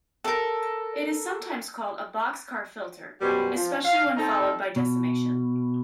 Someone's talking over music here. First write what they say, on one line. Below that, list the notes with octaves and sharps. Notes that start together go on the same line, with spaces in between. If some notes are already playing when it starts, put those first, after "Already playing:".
It is sometimes called a boxcar filter, especially when followed by decimation.
A4 A#4
F#2 B2 G3 G4 C5 G#5
F3
F5
C4 D#4 A4
B2